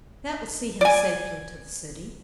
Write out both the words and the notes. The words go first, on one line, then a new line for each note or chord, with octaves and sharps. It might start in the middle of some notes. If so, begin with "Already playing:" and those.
That will see him safely to the City.
D5 G#5